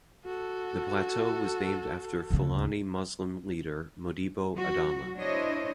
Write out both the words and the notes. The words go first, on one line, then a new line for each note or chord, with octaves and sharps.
The plateau was named after Fulani Muslim leader Modibo Adama.
F#4 A4
D2 C#3
F#3 F#4
D4 E4 C5 C#5 D#5